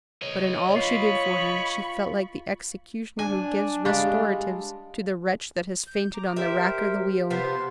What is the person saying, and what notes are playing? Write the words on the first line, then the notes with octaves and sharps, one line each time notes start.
But in all she did for him, she felt like the executioner who gives restoratives to the wretch that has fainted on the rack or the wheel.
C#5 D#5
F4 B5 C#6
D4 G#5
G3 G#3 D4 G4 F5
G6
A#5 D6
G4 A#4 C5 E5
C3 F3 B3 C5 C6